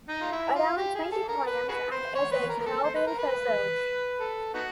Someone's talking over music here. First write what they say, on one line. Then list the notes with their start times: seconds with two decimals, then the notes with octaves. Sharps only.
Around twenty poems and essays have been preserved.
0.09 D#4
0.21 F4
0.32 E4
0.55 F4
0.77 G4
0.95 G#4
1.12 A4
1.29 A#4
1.47 B4
1.69 F#4 G#4 B4
1.91 C5
2.15 C#5
2.32 B4
2.49 A#4
2.60 A#4
2.66 A4
2.84 C5
2.95 B4
3.07 A#4
3.19 B4
4.20 A4
4.54 B3 D#4 F#4